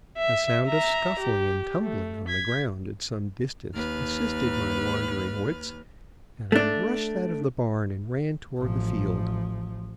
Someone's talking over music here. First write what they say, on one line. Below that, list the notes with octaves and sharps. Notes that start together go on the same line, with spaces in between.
A sound of scuffling and tumbling on the ground at some distance assisted my wandering wits, and I rushed out of the barn and ran toward the field.
E5
E5 A#5
G4
A3
G#6 B6
D#2 B4 F6
A3 D4
A1 F3